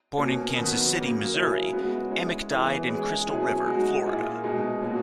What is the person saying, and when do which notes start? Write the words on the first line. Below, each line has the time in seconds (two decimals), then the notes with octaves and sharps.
Born in Kansas City, Missouri, Amick died in Crystal River, Florida.
0.17 B2 A#3 C#4
0.56 D#3 F#3 B3 F#4
0.95 C#3 F#3 A#3
1.34 C#3 F#3 C#4 E4
1.73 G#3 B3 F#4
2.11 G#3 C#4 E4
2.50 E3 B3 E4 G#4
2.88 G#3 C#4 G#4
3.27 B2 F#3 C#4 E4 G#4
3.66 G#3 D#4 F#4
4.06 A#2 A#3 E4 G#4
4.43 B2 G#3 D#4 G#4
4.82 A#2 A#3 C#4 F#4